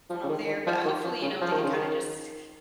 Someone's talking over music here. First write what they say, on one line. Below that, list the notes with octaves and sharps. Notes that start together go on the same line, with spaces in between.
going on there, but hopefully, you know, they can kinda just
F3
C#3
D#3
D#3
F3
D#3
F3
C#3
F3
D#3
C#3
D#3